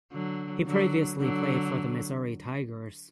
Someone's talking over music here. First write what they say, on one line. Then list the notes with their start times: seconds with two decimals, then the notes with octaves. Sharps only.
He previously played for the Missouri Tigers.
0.12 D3 F#3
0.66 D3 F#3
1.20 D3 F#3